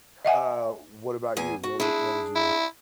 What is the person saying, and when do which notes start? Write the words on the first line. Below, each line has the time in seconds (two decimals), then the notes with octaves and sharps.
Uh, what about you? What would what would you do?
0.25 D#5 E5 F#5 G#5
1.37 E2 G#4 G#5
1.63 F#4
1.80 D4 E4 G#4
2.36 E4